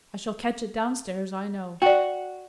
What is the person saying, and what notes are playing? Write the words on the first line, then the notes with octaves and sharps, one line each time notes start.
I shall catch it down stairs, I know.
F#4 D5 G5